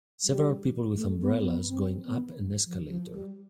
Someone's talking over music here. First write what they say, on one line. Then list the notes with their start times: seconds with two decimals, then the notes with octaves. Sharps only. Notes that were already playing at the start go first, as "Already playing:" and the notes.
Several people with umbrellas going up an escalator.
0.24 G3
0.96 A3
1.21 B3
1.40 C4
1.45 B3
1.68 C4
2.05 B3
2.65 F3
2.89 F3
3.13 G3